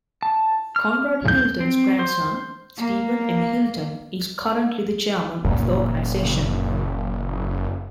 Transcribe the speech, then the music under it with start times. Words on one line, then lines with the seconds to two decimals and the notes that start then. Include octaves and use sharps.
Conrad Hilton's grandson Steven M. Hilton is currently the Chairman of the organization.
0.23 A5
0.76 F6
1.28 G6
1.60 C4
1.99 C5
2.78 A#3
5.45 F#1 A#2